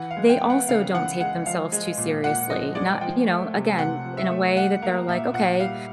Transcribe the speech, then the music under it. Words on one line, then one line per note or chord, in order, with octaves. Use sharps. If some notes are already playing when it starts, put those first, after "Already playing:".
they also don't take themselves too seriously, not you know, again, in a way that they're like, "Okay."
Already playing: E3 F#5
F5
G#3
G5
B3
F#5
C#3 F5
E3 F#5
G#3 F#5
F3 F5
G#3
A#2
A#2 F#5
F3 D#5
G#3 D5
F3 G5
A3
C3
C3 F#5
F3
E5
A3
G3 F#5
A#3 F5
A#2 E5
A#2 F#5
G3 F5